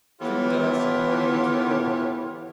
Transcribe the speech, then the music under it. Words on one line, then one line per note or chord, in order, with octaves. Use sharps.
Two ducks supporting a turtle!
E3 B3 F4 G4 A4 C#5